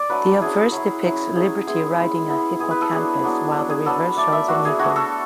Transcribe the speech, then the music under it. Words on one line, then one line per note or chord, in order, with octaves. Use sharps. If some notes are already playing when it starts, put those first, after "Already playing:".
The obverse depicts Liberty riding a Hippocampus, while the reverse shows an eagle.
Already playing: D5
F#3 A3 D4 B4
F#3 C#4 E4 G#4
F#3 C#4 E4
F#3 C#4 E4
F#3 C#4 E4 G#4
G#3 B3 E4 G#4
G#3 B3 E4
G#3 B3 E4
G#3 B3 E4 G#4
B4
A4
F#3 B3 D4 G#4
F#3 B3 D4
F#3 B3 D4
G#4
F#3 B3 D4 A4
A3 D4 D5
E5
A3 D4 F#4
G#4
A3 D4 F#4
A4